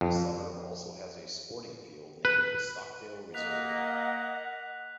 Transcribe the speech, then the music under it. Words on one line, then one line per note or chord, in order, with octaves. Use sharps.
The suburb also has a sporting field named Stockdale Reserve.
F2
B4
A#3 D#5 F#5 F#6 B6 F7